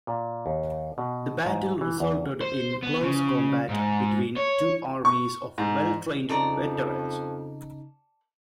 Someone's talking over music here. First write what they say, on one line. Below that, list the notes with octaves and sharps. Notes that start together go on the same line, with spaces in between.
The battle resulted in close combat between two armies of well-trained veterans.
A#2
D#2
B2
G#2
E3
E2
C5
B3
C#3
G#2
C#5
C#6
G#2
F2 C#3 D#4 A4 D5 A#5